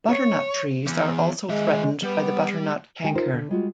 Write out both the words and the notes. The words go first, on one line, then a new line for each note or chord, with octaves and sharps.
Butternut trees are also threatened by the butternut canker.
C#5
E2
D#3 G#3 E5
G3 B3
D#3 G#3 G4 G5 G#5
D#4 F4 A#4 C5
D3
G3 G#3 F4 F#4